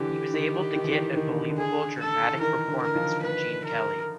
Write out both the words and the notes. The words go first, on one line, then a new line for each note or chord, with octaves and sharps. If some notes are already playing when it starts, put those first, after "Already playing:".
He was able to get a believable, dramatic performance from Gene Kelly.
Already playing: D3 E3 G4
D#3
D#3
E3
D#3
D#3
D3
D3
G#4
A4
E3
D#3 A#4
D3 E3
A#4
D#3 F3
B4
A#4